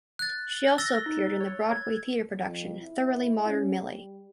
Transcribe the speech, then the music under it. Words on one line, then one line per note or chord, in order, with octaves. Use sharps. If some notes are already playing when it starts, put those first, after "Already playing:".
She also appeared in the Broadway Theater production "Thoroughly Modern Millie".
F#6 A6
E6 A6 A#6 G7
D#4
C#5
G#6
F2
E4
C#4
G3